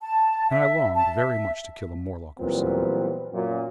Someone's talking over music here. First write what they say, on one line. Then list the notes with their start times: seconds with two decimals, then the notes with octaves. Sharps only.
And I longed very much to kill a Morlock or so.
0.01 A5
0.50 E5
0.94 A5
1.16 E5
2.39 A#2 E3 F#3 G3 B3 C4
3.33 F#2 A#2